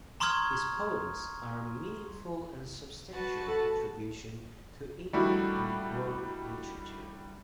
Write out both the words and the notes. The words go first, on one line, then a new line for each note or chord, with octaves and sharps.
His poems are a meaningful and substantial contribution to Indian and World literature.
A#5 C6 C#6 D#6 F6 G#6
F#4 B4 A5
A4
D#3 G3 A3 D4 E4 F#4